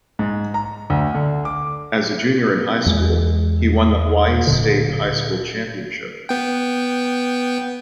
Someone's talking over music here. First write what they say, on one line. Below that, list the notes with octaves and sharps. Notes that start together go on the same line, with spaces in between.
As a junior in high school, he won the Hawaii State High School Championship.
G#2
A#5
D2
D3
D6
E2 G#3
D1 G#1 A#2 D3
B3 G5